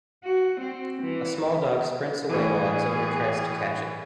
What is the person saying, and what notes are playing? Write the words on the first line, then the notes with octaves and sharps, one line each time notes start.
A small dog sprints away while its owner tries to catch it.
F#4
C4
E3
A2 E3 G#4